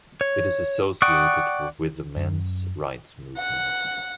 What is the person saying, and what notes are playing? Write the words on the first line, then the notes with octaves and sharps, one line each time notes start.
It is associated with the men's rights movement.
C#5
D5 F#5 G5 C#6 D#6
F#2
F#5